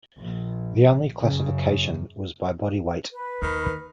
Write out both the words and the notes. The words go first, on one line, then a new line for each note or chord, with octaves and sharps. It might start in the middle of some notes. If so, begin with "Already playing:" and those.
The only classification was by body weight.
A#1
F#2 C#3
B4
D#2 D#3